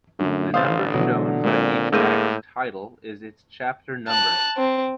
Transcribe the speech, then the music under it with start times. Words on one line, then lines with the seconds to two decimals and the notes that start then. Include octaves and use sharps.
The number shown by each Act's title is its chapter number.
0.19 F#2 D3 F#3 A3
0.54 A1 D3 C5 F5 D#6 E6 A6
0.94 B2 E3 F#3
1.44 A#2 G#3 C4
1.92 A2 G#3 A#3 E6 G6 D#7
4.08 A5 F#6
4.57 C4